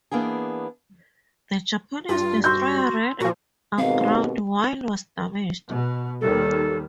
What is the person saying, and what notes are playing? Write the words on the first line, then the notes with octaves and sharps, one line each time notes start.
The Japanese destroyer ran aground, while was damaged.
E3 A#3 B3 D4 G#4
G2 F4
F#4 C6 E6 G6
A#2 F3 F#4
D#2 G#2 B2 C4 F5
B2
D#2 D#3 G3 A4